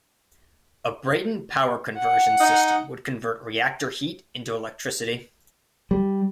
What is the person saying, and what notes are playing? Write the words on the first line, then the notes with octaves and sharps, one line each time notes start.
A Brayton power conversion system would convert reactor heat into electricity.
F#5
D#4
G3